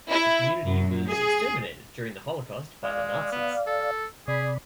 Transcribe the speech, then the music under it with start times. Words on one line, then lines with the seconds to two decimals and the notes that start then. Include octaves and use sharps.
The community was exterminated during the Holocaust by the Nazis.
0.10 E4
0.65 F#2
1.06 G#4
2.83 G#3 D5 F5
3.32 B3
3.67 A4
4.28 C3 G#4 D5 B5